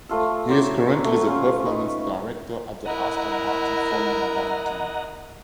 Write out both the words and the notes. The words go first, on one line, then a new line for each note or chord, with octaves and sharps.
He is currently the performance director at the Aston Martin Formula One team.
F3 A3 F4 A4
F#3 E4 C5 D6
A3
C#4 F4
D#4 B4
E4 A#4 D#5 F#5 A#5